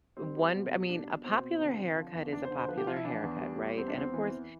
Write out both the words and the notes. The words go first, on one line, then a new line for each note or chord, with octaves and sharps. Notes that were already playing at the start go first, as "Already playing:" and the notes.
one I mean, a popular haircut is a popular haircut, right? And, of course,
G3 C4
G3
B2
G3
B2 D4
B2
B2 C4
B2
D3
D3
F3
E2
E2 D4
C5
D3
C5
F3 B4
G4
F3 F4
E4
E3 D4
E2
G3
G3
E2 C4
D4
E2 C4
E3
E3